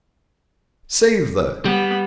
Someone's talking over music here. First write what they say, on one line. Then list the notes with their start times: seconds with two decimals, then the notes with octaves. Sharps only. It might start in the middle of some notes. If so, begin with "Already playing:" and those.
"Save the--!"
1.65 G3 B3